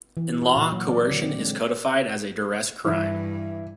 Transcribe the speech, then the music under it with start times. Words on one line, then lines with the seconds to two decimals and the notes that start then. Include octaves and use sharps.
In law, coercion is codified as a duress crime.
0.17 E3
0.42 F#4
0.56 A#2
0.73 F#3
0.88 D5
1.11 D3
1.23 C4
1.38 G#3
2.85 G2 E3 E4